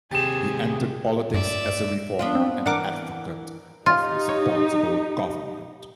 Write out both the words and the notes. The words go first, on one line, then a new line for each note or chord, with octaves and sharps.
He entered politics as a reformer and advocate of responsible government.
D#2 C3 G4 G#4 A6 E7
G2 D5 E5
B3 D4 F4
C4
E3 D4 A#4 F#5 D6
D#4 F4 G4
C#5